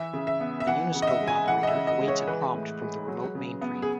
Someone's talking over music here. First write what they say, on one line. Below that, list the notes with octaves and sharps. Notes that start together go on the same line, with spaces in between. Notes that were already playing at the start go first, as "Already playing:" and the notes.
A Uniscope operator awaits a prompt from the remote mainframe.
Already playing: E3 E5
C#3
E5
B3
E5
E3 F#5
C#3
D#5
E5
G#3
G#5
E3 F#5
D#5
E5
C#3
D#5
G#3
C#5
E3 B4
A2
G#3
F#3
C#3
B3
G#4